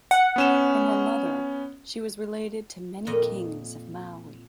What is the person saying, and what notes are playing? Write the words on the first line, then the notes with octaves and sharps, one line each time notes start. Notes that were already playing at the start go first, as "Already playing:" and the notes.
From her mother she was related to many kings of Maui.
F#5
B3 C#4 E7
F2 A#2 D#5